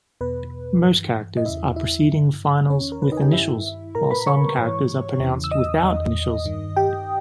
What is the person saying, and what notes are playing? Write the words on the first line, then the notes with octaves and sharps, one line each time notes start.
Most characters are preceding finals with initials while some characters are pronounced without initials.
E2 B2 B4
G2 E3
D#5
E2 C#3 E3 E4 E5
E4 E5
G2 D#3
E2 D#3 C#4 C#5
A#4
B4
D#4 D#5
G#5
G4 G5
G2 D#3 E4 E5
A#2 A#4 A#5
B4 B5
C#5 C#6
G#2 E3
E2 C#3 E3
E6
D#5 D#6
E2 D#3
G2 D#3
G4 G5